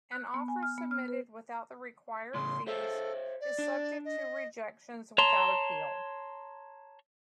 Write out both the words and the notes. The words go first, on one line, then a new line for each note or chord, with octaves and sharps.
An Offer submitted without the required fees is subject to rejections without appeal.
F#6
B3
G#5
F6
B3
F6
B4
A2 C#3 C6
A4 C5 C#5 E5
D5
D4
D#5
C#5 A5 A#5 C6